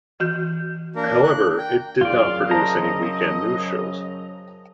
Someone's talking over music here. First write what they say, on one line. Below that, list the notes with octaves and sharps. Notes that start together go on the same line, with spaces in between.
However, it did not produce any weekend news shows.
E3 F#4 G6
A#3 D4 A#4
F#6
G5
F#2 C#3 F#3 F4 D5 F5
C5 D#5 A5 A#5